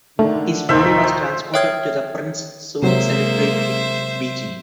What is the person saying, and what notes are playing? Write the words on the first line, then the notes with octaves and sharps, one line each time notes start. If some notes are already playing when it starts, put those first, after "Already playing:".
His body was transported to the Prince Su Cemetery in Beijing.
D3 D#3 A3
A#1 D#2 D#4 C5 E5
C5
C#5 E5 G5 D#6 F6 G#6
C3 F#3 G#3 A#3 C5 E5